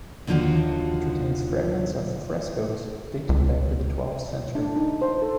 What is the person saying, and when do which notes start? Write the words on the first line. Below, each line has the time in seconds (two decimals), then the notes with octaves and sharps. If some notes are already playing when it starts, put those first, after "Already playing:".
It retains fragments of frescoes dating back to the twelfth century.
0.27 D#2 D3 F3 F4 F#4
3.29 C#2
4.55 D4
4.76 D#4
5.02 C5
5.22 A4